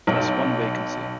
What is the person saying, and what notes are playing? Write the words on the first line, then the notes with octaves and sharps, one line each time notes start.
There is one vacancy.
B1